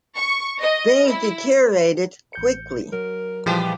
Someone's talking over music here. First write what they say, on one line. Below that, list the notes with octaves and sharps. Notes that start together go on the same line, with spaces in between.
Things deteriorated quickly.
C#6
D#5
E4
A1 G6 C#7
F#3 A#4
A#2 E3 F3 G3 G#3 B3 G4